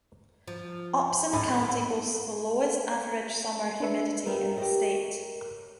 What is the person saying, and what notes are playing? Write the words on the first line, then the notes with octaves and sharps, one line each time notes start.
Upson County boasts the lowest average summer humidity in the state.
F3
D#2 A2 D#4 B5
D4 B4 E5
G3 B3 D#4 A#4
G4 C#5 D#5